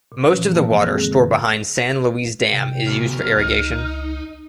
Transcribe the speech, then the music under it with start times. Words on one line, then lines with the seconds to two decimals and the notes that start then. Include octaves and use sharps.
Most of the water stored behind San Luis Dam is used for irrigation.
0.12 A#2
0.28 E3 F3 C#4
0.50 F#2 A#3 A5
0.81 G#3 C4 G#4 A4 F#6 A#6
1.00 D3
2.52 C3 G5
2.86 D2 B2 F6
3.38 C#2 D#4